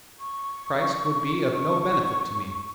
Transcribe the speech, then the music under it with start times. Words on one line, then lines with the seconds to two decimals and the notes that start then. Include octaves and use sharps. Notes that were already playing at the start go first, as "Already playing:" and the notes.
Christ would be of no benefit to me.
0.20 C#6
1.54 C#6